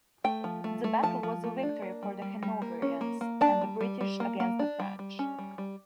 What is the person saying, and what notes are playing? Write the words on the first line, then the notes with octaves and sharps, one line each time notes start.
The Battle was a victory for the Hanoverians and the British against the French.
A3 G5
F3
A3
A3
F3 A5
F3
A3
D4
A#3
G3
G3
G3
A#3
C#4
A#3
A#3
D4 A5
G3
G3
G3
A#3
A#3
D4
G3
G3
C#4
G3
G3